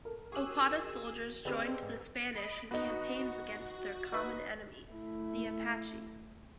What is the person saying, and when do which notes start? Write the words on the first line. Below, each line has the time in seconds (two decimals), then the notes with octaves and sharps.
Opata soldiers joined the Spanish in campaigns against their common enemy, the Apache.
0.05 A4 A#4
0.32 G4 G#4 C#6 D6 E6 F#6 F#7
0.47 F#4 A#4
1.45 D3 C4 G4 G#4 B4 D5 D#5 E6
1.82 G#2
2.33 D#5 B5 D7
2.71 B3 D#4 F#4
4.12 D#4 B4
4.87 A3 E4